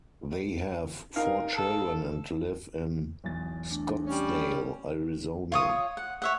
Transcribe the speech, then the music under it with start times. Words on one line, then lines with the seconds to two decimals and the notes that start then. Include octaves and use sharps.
They have four children and live in Scottsdale, Arizona.
1.16 D#4 A#4 F5
1.55 A4
3.24 B1 E2 A6
3.70 A3 D4
4.06 G3 C#4
5.52 F4 C#5 D#6
5.97 F#5
6.22 C#5 E5 F#5